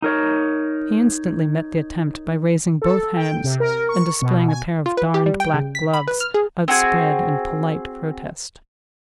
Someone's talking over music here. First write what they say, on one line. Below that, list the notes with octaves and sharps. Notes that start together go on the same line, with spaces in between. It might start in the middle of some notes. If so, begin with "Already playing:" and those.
He instantly met the attempt by raising both hands, and displaying a pair of darned black gloves outspread in polite protest.
D#4 A#4 C#5
A4
G5
C3
A#4
C#6
B2
G#5
F4
B4
G4
G3
G5
C#3
B6
B5
B4
F6
G#4
C4 F#4 G#4